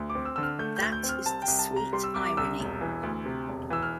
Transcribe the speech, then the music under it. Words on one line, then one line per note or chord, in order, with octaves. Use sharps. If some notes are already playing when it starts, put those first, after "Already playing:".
That is the sweet irony.
Already playing: D2
D6
C4
E6
D3 E6
F6
A3 G6
D2 G6
G6
C4
F6
C2 A5
G5
C2
A5
C3
A#5
G3 C6
E6
C2 D6
D6
C2 E6
E1
E3
D2
C3
E1
E3 E6
F6